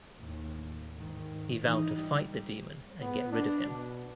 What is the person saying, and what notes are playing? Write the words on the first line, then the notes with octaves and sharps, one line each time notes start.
He vowed to fight the demon and get rid of him.
D#2 A2
G#2 D#3
E3 D#4
G3
B3
D4
B2